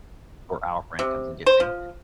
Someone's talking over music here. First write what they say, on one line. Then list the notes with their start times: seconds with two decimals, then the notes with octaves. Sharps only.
or our friend comes and gets him,
0.99 C3
1.46 C5
1.60 F3